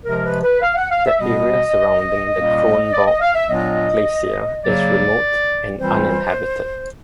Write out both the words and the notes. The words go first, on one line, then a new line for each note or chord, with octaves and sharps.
The area surrounding the Kronborg Glacier is remote and uninhabited.
C3 F3 G#3 A#4
B4
B4
F5
F#5
F5
E5
B2 G3 B3 D#5
A#2 G3 A#3 C#4
D5
D#5
F5
E5
A#2 F#3 B3 D4 F4 D#5
C#3 F#3 A#3 D5
E3 G3 C4 F4 C5